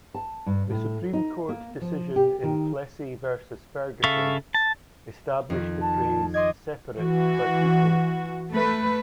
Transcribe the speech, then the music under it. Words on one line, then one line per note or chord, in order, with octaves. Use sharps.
The Supreme Court decision in "Plessy versus Ferguson" established the phrase "separate but equal".
A5
G2
A2
D#4
A#3
F3
G4
D#3
C#3 A4 E5 F5 C#6
A5
F2 D#3
A5
D#5 C6 D6 G#6
E3 F#4
A3 B4